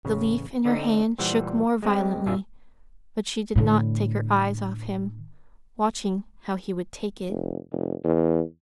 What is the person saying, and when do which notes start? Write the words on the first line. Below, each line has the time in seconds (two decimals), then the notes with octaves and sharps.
The leaf in her hand shook more violently, but she did not take her eyes off him, watching how he would take it.
0.05 A1 C#3
0.65 D3 C4 D#4
1.18 A#2 E3 G3 C5 F#5
1.83 G#3 C4 G4
2.26 A#1 F2 D4 F4 E5 G#5
3.55 A2 D3
7.29 F1
7.72 F1
8.04 E2